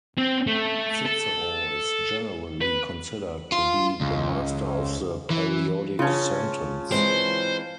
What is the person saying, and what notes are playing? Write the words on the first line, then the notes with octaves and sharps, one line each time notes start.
Cicero is generally considered to be the master of the periodic sentence.
C4
A3
A4
B4
F4
C#2
E3
C#3 C#4 F4 A5
E3 G#3 C4 C5